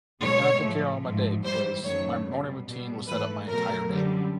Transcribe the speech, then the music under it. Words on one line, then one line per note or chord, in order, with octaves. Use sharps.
and I can carry on my day because my morning routine will set up my entire day.
B2 G#3 C#5
A2 F3 A3
G#2 F3 A3
G#2 E3 G3 C5
F#2 D#3 F#3 A3 C#5
B2 G3
B2 G3
G#2 E3 A3 B4
B2 F#3 A3 A#4
F#2 D3 G3